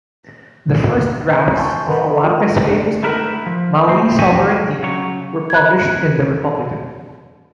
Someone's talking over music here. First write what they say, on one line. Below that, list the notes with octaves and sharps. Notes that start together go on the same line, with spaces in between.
The first drafts of Awatere's famous book "Maori Sovereignty" were published in "The Republican".
G#5 A5 C6 C#6 G6
A#4 B4 D#5 F#5 B5
F4
A2 D3
A3 D4
A3 D#4 E4 A#4 B4
F3
E3 A#3 C5
F#4 G4 A4 G#5
C#3 F#3 C#5
F#6 G#6